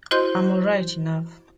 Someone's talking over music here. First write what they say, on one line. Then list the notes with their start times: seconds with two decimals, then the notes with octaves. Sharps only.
I'm all right enough.
0.11 E4 F#4 C5 D#5 C6 G6